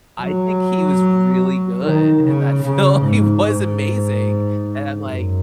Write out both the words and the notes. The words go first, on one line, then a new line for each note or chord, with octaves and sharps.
I think he was really good in that film, he was amazing, and I'm like
F#3
D#3
C#3
C#3
G#2
G#2
F#2